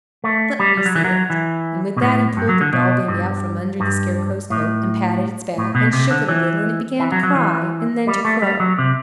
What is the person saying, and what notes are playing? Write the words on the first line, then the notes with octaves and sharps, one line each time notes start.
"Let me see it!" And with that he pulled the doll-baby out from under the Scarecrow's coat, and patted its back, and shook it a little, and it began to cry, and then to crow.
A3
G3
G3
F#3
E3
F#3
E3
B2
A2
G2
F#3
D3
B2
G2
G2
A2
A2
B2
C3
D3
E3
E3
F#3
F#3
E3
G3
A3
G3
F#3
C3